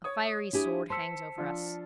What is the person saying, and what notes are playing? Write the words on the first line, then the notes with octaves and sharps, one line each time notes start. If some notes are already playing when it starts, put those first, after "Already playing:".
A fiery sword hangs over us.
C#5 D#6
D4 E4 G4 G#4
C5 A5 C6 E6 B6 C#7
F3 D4 F4